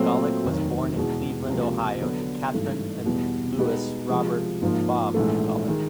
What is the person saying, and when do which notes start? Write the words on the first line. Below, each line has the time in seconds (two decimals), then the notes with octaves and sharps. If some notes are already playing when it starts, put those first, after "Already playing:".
Golic was born in Cleveland, Ohio to Catherine and Louis Robert "Bob" Golic.
Already playing: A#2 F#3 A3 C4
0.44 F1 D#2 D#3 F#3
0.97 E2 B2 G#3
1.48 C#2 C3 F3 A#3
2.01 D3 F#3 B3
2.53 G#1 G2 E3 A3 D4
3.05 E2 B2 G3 B3
3.58 B2 G#3 B3 D#4 G4
4.09 C3 F3 G#3
4.62 G#1 G#2 F3 A#3
5.14 A#1 G#2 E3 A3
5.68 D#3 G#3